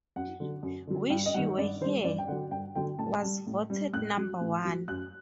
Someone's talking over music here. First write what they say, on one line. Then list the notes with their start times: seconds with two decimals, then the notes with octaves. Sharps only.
"Wish You Were Here" was voted number one.
0.16 F#2 F#5
0.40 D3 F#3
0.63 F#2
0.87 D3 F#3
1.10 G2 G5
1.26 D#5
1.34 D#3 G3 F#5
1.58 G2 D5
1.81 D#3 C5
1.85 G3
2.04 G2 D5
2.18 G5
2.28 D3 F#3 F#5
2.51 G2 G5
2.75 D3 F#3 G5
2.99 A2 A5
3.22 G3
3.47 A2
3.70 G3
3.93 A2 F#6
4.17 F#3
4.41 A2
4.65 F#3
4.88 F#2 F#6